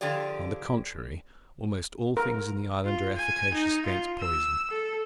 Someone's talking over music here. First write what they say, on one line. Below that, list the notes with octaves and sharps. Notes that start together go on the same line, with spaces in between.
On the contrary, almost all things in the island are efficacious against poison.
D3 F3 G4 G#4 D5
A#4
F4
G#5
D#4
F4
E6
A4